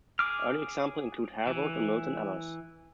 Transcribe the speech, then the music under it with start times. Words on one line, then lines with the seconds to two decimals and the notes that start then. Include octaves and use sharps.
Early examples include Harewood and Milton Abbas.
0.19 G#4 D6 F6
1.47 E3